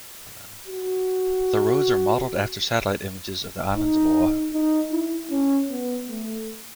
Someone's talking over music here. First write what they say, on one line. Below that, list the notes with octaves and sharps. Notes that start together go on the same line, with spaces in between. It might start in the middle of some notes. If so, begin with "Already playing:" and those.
The roads are modeled after satellite images of the island of Oahu.
F#4
D#4
D#4
E4
C#4
B3
A3